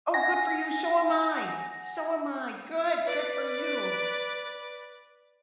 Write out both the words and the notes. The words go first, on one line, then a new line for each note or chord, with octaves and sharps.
Oh, good for you! So am I! So am I, good! Good for you!
F#5 G#5 A#6
B4 D5